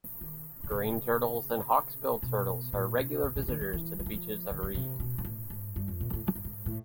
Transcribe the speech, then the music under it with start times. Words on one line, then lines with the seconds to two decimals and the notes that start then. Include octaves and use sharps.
Green turtles and hawksbill turtles are regular visitors to the beaches of Aride.
0.21 D#3
0.64 D3
0.71 C#3
2.23 B2
2.73 A#2
2.99 C3
3.24 C3
3.36 B2
3.43 D#3
3.48 D3
3.61 D#3
3.73 E3
3.99 F3
4.06 E3
4.13 F3
4.51 D3
4.63 C#3
4.75 C3
5.00 B2
5.18 G#2
5.25 A2
5.50 G#2
5.76 G2
5.88 F2
6.01 A#2
6.13 A2
6.27 G#2
6.35 G2
6.45 G#2
6.66 A2